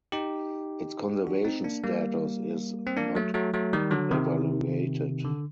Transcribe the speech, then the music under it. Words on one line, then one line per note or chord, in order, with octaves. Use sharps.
Its conservation status is "Not Evaluated".
D#4 G4
D4 F#4
C4 D#4
A#3 D4
G3 A#3
C4
A#3 D4
F#3 A3
F#3 A3
F#3 A3
D#3 G3
D3 F#3
C3 D#3
D3